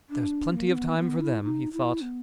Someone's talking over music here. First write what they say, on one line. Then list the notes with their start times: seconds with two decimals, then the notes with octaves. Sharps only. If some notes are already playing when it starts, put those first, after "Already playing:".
"There's plenty of time for them," he thought.
0.10 D4
0.54 A#3
0.68 C4
0.76 B3
0.99 B3
1.21 E4
1.42 D#4
1.73 E4
2.01 B3